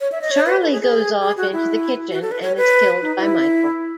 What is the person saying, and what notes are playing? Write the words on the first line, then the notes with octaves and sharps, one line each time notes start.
Charlie goes off into the kitchen and is killed by Michael.
C#5
E5
D#5
C#5
B4
A4
G#4
G#4
G#4
F#4
E4
F#4
A4
B4
C#5
B4
D#4
E4